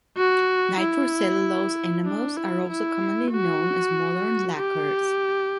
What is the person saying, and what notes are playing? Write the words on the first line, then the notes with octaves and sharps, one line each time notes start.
Nitro-cellulose enamels are also commonly known as modern lacquers.
F#4
E4
D4
E4
E4
F#4
G4